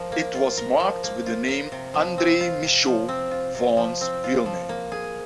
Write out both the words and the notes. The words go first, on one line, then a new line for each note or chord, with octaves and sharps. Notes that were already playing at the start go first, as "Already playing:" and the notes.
It was marked with the name "Andre Micheaux", Vaughn's real name.
Already playing: F3 A#4
A#3
F4
A#4
F3
A#3
F4
A#4
C3
F3
C4
F4
C3
F3
C4
F4
C3
F3
C4
F4
F3
A#3
G#4